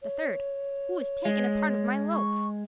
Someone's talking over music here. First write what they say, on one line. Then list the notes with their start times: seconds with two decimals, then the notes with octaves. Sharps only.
The third, "Who has taken part of my loaf?"
0.02 C#5
1.25 G#3
2.13 C#6